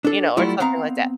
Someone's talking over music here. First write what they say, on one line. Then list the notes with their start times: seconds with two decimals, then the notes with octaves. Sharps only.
you know, or something like that.
0.05 D4 A4
0.37 F#3 G3 A3 E4 F4
0.60 B3 C4 F5 A#5